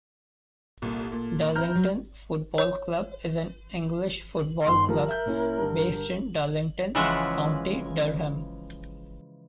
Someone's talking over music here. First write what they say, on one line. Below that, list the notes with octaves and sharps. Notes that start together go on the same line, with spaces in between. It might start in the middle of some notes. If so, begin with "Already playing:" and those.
Darlington Football Club is an English football club based in Darlington, County Durham.
C2 A#2 A4
A#2
C4 E4 A#5 F6 G6
F#3
C#5
G1 D#3 C6
F3 G3 A#4
E5 G6
A#2 C#4 E4
G2 D3
C#3 E3 F3 G#3 E5 F#5